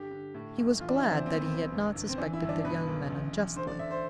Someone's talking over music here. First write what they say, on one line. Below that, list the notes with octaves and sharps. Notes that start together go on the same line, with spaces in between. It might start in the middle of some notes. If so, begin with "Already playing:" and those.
He was glad that he had not suspected the young man unjustly.
Already playing: G2 D3 G4
D3
A2
B1
E3 F4
D4
E4
E3
C4
B1 C4
B3
C4
B1
G1
G1
C4
E3 D4
E4
G1
D4
B2 B4
B1
A1
A1
D3 C5
D5
D3 E5
C5